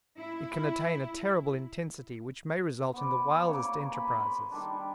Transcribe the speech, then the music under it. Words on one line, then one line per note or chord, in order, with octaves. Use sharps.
It can attain a terrible intensity which may result in the wildest enterprises.
E4
B3 C5 D5
C#3 A#3 C#6 D6
G#5 B5
C6
D#3 G3 D4